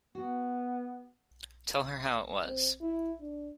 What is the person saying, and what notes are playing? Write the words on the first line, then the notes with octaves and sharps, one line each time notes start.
Tell her how it was.
B3 F#4
C4
E4
D4